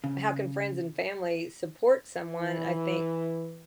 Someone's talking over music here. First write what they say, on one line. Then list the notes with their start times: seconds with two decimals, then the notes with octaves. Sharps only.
how can friends and family support someone, I think,
0.04 C#3
2.36 E3